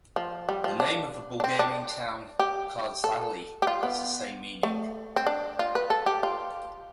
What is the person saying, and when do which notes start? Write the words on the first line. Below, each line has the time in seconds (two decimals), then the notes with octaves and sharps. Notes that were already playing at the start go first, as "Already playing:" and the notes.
The name of the Bulgarian town Kardzhali has the same meaning.
0.16 F3
0.49 G3
0.64 F3
0.80 D4
1.40 D4
1.44 C4
1.59 D4
2.39 G4
3.04 A4
3.62 G4
3.67 F4
3.83 B3
4.63 A3
5.16 C4
5.27 D4
5.59 F4
5.75 B4
5.90 A4
6.06 G4
6.23 F4